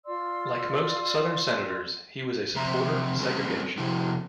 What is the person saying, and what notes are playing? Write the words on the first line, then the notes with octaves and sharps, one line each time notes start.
Like most Southern Senators, he was a supporter of segregation.
F4 D5 C6 E6
C3 F3 C4 E5 A#5
G3 C4 C#4 F4 A4 B4
C3 F3 E4